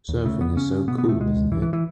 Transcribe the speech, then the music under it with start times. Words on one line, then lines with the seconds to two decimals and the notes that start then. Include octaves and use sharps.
Surfing is so cool, isn't it?
0.09 D#2
0.25 C#3 A3
0.40 E2 B3
0.56 C#3 C#4
0.72 C#3
0.88 B2 B3
0.98 B3
1.05 B2 A3
1.20 B2 G#3
1.35 C#2
1.51 C#2 E3
1.62 E3
1.73 E3